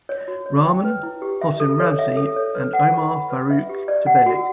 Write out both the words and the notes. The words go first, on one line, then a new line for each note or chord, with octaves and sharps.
Rahman, Hossam Ramzy and Omar Faruk Tekbilek.
C#5
F#4
C#5
G5
B4
E4
G4
E5
A4
C#5
E5
A4
C#5
B4
F#5
C#6
B5
B4
E5
G4
D5
F#5
F#4